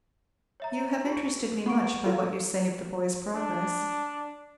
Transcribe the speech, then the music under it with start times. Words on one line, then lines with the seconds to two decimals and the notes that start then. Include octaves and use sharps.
You have interested me much by what you say of the boy's progress.
0.60 C#5 E5 A#5
1.05 F#4 G#4
1.66 B3 F#5 C#6 D7
2.06 F4 A4
3.35 D4